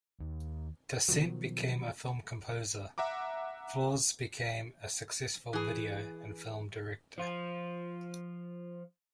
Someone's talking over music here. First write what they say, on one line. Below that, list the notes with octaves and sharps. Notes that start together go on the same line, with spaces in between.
Dasent became a film composer, Flaws became a successful video and film director.
D#2
B2 D#3 F3 F#3
E5 F#5 A#5 D6
E3 G#4
F3 F4